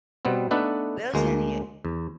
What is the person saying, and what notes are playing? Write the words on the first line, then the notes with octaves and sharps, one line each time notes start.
there's any o
B2 G3 B3 C4
A3 B3 D4 D#4 A4 B4
D2 G#3 A#3
E2